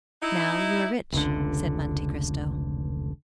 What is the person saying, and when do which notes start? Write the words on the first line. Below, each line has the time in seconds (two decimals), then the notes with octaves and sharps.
"Now you are rich," said Monte Cristo.
0.23 D#4 E4
1.12 F1 C#2 D3